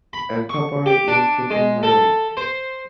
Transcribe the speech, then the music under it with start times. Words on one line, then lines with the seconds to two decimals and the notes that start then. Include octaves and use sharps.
A couple is getting married.
0.13 B5
0.49 C#6
0.86 G4
1.08 D4
1.50 G#3
1.83 A4
2.37 C5